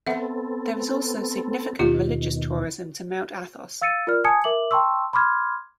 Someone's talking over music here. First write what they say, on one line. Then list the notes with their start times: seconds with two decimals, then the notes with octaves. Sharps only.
There is also significant religious tourism to Mount Athos.
0.07 B3 C4 A4 E5 F#5
1.79 D#2 B2 D#3 F4 G4
3.81 F5 E6 A6 C#7 D#7
4.07 F4 A#4 D5 F6
4.24 G#5 A5 D#6 G#6 C#7
4.44 A#4 E5 D6 F#7
4.71 G5 A5 C6 C#6 E6
5.13 B5 C6 D6 F6 G#6